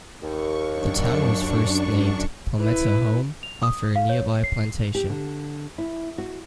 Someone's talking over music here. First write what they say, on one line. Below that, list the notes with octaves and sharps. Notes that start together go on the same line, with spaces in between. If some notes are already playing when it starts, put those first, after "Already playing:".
The town was first named Palmetto Home, after a nearby plantation.
D#2 C#6
F#2 D4 C#6
E4 B4
F7
D#6
F5
C#5
C7
G4
D3
E4
F#4